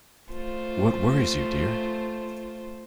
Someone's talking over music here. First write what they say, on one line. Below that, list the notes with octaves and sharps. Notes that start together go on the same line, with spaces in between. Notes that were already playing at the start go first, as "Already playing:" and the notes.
What worries you, dear?
A3 F4 C5